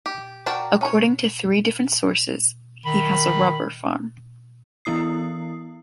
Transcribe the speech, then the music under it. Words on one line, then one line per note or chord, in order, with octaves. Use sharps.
According to three different sources, he has a rubber farm.
G4
F#4 A#4 D5 G5 A5
C#4 C#5
D#3 B5
E3 B3 E4 D#6 C7